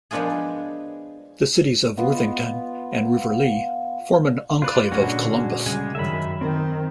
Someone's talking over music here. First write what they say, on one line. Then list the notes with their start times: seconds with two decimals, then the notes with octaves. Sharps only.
The cities of Worthington and Riverlea form an enclave of Columbus.
0.11 F3 G#3 B3 D4 F4 G#4
1.97 B3 F4 D#5
4.62 F4 B4 D5
4.92 A#2 D3 G#3 C#4 F#4
5.66 C#3 G3 G#3 G#5
5.95 F#2 D#3 E5 B5
6.41 D#3 C4